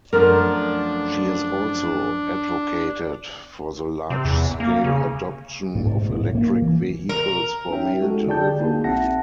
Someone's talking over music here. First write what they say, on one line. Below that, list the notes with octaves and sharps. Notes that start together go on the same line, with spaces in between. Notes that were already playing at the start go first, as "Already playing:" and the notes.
She has also advocated for the large-scale adoption of electric vehicles for mail delivery.
F#2 F3 A3 D4 A#4
C3
E2
A#3
C#3
G2
G#2
G#2
A2
A#3
E3
A#4
C#4 D#4 F#4 C#5 E5 G5
G#3 F#4 A4
D3 G#4 D5 G5 A5 G6
A#3 D#4 F#4 G#4
A#1 C4 E5 F#5 A5 A#6